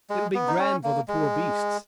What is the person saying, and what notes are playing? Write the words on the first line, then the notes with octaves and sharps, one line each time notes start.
It'll be grand for the poor beasts.
G#3
B3
D#4
C#4
A#3
G#3